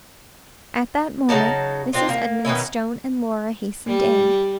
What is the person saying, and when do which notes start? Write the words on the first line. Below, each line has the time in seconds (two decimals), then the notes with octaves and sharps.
At that moment Mrs. Edmonstone and Laura hastened in.
1.29 C#3 F#3 D#4 A5
1.93 C4 D4 F4
2.09 A#3
2.45 B2 D#3 C#4 E4
3.87 G3